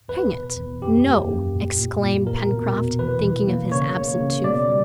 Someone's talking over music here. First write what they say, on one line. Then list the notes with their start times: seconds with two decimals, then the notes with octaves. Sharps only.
"Hang it, no!" exclaimed Pencroft, thinking of his absent tooth.
0.09 E2 B4
0.33 B2
0.58 E2
0.82 F#2 G4
1.06 A#3
1.30 F#2
1.54 A#2
1.78 A#2
2.03 A#2
2.27 E2 A#4
2.51 B2
2.75 B2
2.99 E3 B4
3.24 E3
3.48 A#3
3.72 C#3 C#5
3.96 A#3
4.20 C#3
4.44 B2 D5
4.69 G3